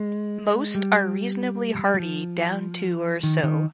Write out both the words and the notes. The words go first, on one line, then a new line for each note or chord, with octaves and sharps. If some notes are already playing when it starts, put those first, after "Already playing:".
Most are reasonably hardy down to or so.
Already playing: G#3
G3
G3
F3
D#3
D#3